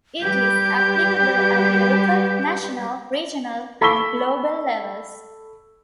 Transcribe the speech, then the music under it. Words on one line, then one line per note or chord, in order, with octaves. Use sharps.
It is applicable at local, national, regional and global levels.
G3 G4 B4 G6
A4 B5 C#6 E6 B6 G7